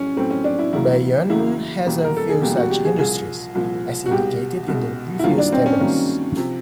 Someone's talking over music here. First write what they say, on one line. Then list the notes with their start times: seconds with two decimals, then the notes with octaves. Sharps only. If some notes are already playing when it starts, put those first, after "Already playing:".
Bayonne has few such industries, as indicated in the previous tables.
Already playing: A2 F#3 C#4
0.16 A2 F#3 A3 C4
0.31 C#4
0.44 D4
0.59 E4
0.73 E2 C#3 F#3 A#3 E4
1.29 E2 C#3 F#3 A#3 E4
1.86 E2 B2 G3 A#3
2.04 A#4
2.17 A4
2.29 G#4
2.41 E2 B2 G3 A#3 G4
2.57 F#4
2.70 G4
2.85 G#4
2.98 C2 A#2 F3 G#4
3.55 C2 A#2 F3
4.06 F#4
4.11 C2 B2 G#3 G4
4.68 C2 B2 G#3
5.19 E4
5.23 G2 D#3 F#3 A#3 F4
5.38 D4
5.53 C4
5.66 C#4
5.80 G2 D#3 F#3 A#3
6.36 C3 F3